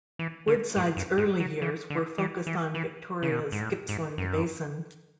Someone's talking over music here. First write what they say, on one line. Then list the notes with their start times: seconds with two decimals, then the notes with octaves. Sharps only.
Woodside's early years were focussed on Victoria's Gippsland Basin.
0.19 E3
0.47 D3
0.76 G#2
0.97 F#2
1.18 G#2
1.40 F#3
1.62 E3
1.90 D3
2.18 E3
2.47 E3
2.75 E3
3.22 C#3
3.32 B2
3.52 G#2
3.61 A2
3.89 G#2
4.18 F#2